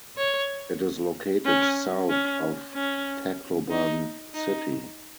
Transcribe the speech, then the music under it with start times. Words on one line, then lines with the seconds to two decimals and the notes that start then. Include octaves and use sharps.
It is located south of Tacloban City.
0.17 C#5
1.45 C#4
2.09 C#4
2.74 C#4
3.71 D#4
4.34 D#4